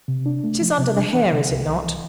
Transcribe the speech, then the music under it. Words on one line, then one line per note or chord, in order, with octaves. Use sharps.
It is under the hair, is it not?'
C3
D4
A3
F3
C3
D4
E3
C3
C2
C2
E3